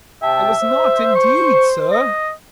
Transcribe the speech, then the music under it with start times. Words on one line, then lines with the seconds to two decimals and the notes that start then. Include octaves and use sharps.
'I was not, indeed, sir.'
0.23 C3 E5 G5 A5
0.63 C5
1.16 C#6
1.91 D#5